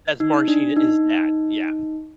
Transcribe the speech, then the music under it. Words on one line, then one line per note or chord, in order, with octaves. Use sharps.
That's Martin Sheen, his dad. Yeah.
D#4
D4
D#4